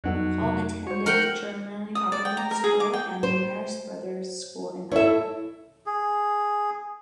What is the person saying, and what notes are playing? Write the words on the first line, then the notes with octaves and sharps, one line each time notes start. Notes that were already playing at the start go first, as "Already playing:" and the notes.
Paul attended German Government School and the Marist Brothers school in Apia.
F2 F#3 G3 B3 D#4 A4
C3 A3
F#4 C5 C#5
A#4 F#5 G5
D#6
D5
G5
A#5
A#4
G#4
D6
G5
C5
E4 A4 C#5 E5
G#4